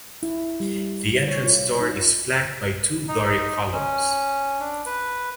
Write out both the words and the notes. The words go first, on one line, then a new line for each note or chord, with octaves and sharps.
The entrance door is flanked by two Doric columns.
E4
G3
C#5
F4
D#4
D#4
C#4
D4
B4